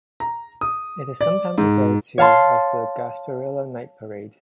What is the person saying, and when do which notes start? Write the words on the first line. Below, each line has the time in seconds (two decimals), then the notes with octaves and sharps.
It is sometimes referred to as the "Gasparilla Night Parade".
0.20 A#5
0.61 D#6
1.21 D5
1.58 G#2
2.18 C#5 F5 A5 C6